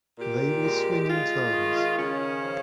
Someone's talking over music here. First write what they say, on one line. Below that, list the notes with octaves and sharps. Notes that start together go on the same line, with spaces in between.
They will swing in turns.
A#2 G4
G#3
G#3 F4
D#3
C#3 C#4
F3